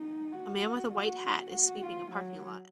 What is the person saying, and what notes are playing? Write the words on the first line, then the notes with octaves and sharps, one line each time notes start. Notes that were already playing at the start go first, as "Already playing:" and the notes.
A man with a white hat is sweeping a parking lot.
Already playing: D#4
F#4
F#4
F#4
F4
F#3